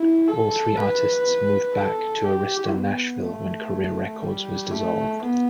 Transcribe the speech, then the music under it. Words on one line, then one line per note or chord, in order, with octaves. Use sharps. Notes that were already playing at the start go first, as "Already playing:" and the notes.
All three artists moved back to Arista Nashville when Career Records was dissolved.
Already playing: E4
A4
B4
A4
G4
B3
A3
G3
A3
B3